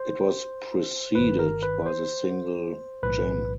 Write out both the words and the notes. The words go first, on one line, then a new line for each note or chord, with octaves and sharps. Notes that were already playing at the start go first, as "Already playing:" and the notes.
It was preceded by the single "Gem".
Already playing: C5
G1 G2 D#3 B4
A#4
B4
C5
B1 A2 E3 B4